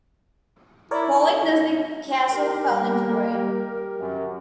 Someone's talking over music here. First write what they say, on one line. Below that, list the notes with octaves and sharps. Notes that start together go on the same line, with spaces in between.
Following this the castle fell into ruin.
E4 A#4 C#5 D5
G4 A#4
G3 A#3
F#2